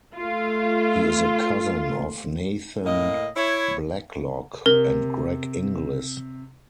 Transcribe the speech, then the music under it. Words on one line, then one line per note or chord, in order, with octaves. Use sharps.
He is a cousin of Nathan Blacklock and Greg Inglis.
A3 F4
A2 A#3 D#5
E4 C#5
C3 A#4